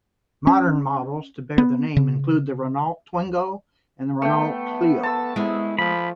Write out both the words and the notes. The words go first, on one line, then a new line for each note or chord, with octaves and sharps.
Modern models to bear the name include the Renault Twingo and the Renault Clio.
C#4
B3
C#3
A3 B3 G5
A5 E6
G#3 B3 E4
F3 B5